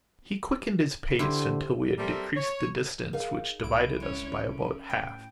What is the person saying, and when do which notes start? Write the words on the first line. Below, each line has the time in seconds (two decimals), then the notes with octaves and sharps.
He quickened his pace until we had decreased the distance which divided us by about half.
1.19 D3 E4 G4 C5
1.98 G3 C4 A4 A#4 E5
2.36 C#5
3.13 D#4 G#4 A#4 F5
3.63 C2 E4 D7
4.00 G#3 C#4 C#5
4.43 C#4
4.90 A2 G5